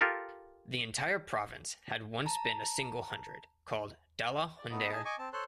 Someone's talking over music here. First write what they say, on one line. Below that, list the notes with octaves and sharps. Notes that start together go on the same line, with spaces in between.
The entire province had once been a single hundred, called "Dala hundare".
F4 G4 A4 A#4
A5 A#5
D5
A3 B3 D#4
D#4 G#4 G#5 A5
D#5 G#5 C#6 D6
C4 A5
A4 C5 C#5 A5 C6 F#6